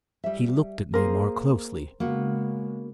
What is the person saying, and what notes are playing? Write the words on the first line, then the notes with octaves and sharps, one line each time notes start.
He looked at me more closely.
G3 E5
A#3 G#4 A#4 C5
C#3 G#3 A#3 B3 F#4